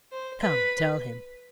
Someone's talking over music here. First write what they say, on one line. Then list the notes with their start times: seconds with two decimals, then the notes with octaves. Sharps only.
Come, tell him.
0.12 C5
0.41 B4